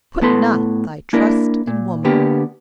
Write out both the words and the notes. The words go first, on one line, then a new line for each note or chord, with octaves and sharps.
Put not thy trust in woman!
A2 B3 A4 B4 C6
A#3 D4 E4 A#4
A#2
D3 A#3 B3 G4